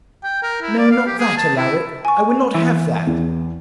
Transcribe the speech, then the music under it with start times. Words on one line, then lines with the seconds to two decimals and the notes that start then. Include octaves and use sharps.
'No, not that, Alaric; I would not have that.
0.24 G5
0.43 A#4
0.62 E4
0.78 D5
0.91 F5
1.06 G4
1.19 G#4
1.37 A5
1.57 E4
2.05 G#5 C#6
2.55 E3
3.07 E2